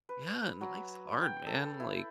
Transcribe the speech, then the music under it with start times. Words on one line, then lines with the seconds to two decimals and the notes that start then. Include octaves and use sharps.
Yeah, and life's hard, man, like,
0.09 B4
0.61 F#3
1.22 G5
1.47 A4
1.80 E4